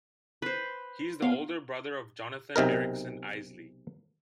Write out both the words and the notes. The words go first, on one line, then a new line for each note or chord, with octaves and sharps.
He is the older brother of Jonathan Erickson Eisley.
B4 C5
B3 F5
B1 C3 D#4 A#4